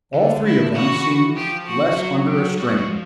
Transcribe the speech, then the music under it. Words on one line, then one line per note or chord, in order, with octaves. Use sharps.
All three of them seemed less under a strain.
D3
E4
E3 F#4
F3 G4
F#4
F#3
G4
G3 F#4
G#3
F3